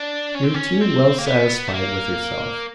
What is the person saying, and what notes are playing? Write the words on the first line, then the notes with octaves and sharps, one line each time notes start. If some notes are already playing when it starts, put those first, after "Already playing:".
You're too well satisfied with yourself.
Already playing: D4
C#4
C4
C#4
C4
A#3
B3
A3
A#3